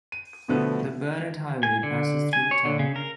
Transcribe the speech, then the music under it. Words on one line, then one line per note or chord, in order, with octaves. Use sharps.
The Burnett Highway passes through the town.
D#7
B2 D3 F3 A3 B3
G#5
D3
G#5
C#5
D3
C#3
A#4